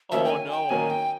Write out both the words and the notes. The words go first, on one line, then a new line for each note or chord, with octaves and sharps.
Oh no.
D#3 F#3 A#3 C#4 E5
G5
G#5
G5
D#3 F#3 A#3 C#4 G#5
G5